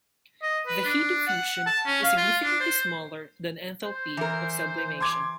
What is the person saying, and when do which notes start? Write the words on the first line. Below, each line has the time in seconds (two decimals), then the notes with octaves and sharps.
The heat of fusion is significantly smaller than enthalpy of sublimation.
0.42 D#5
0.67 B4
0.85 D4
1.28 F#5
1.67 A5
1.86 C#4
2.03 F5
2.17 F4
2.43 D4
2.61 C5
3.84 C5
4.17 E3 A#4
5.00 C6 D6 G#6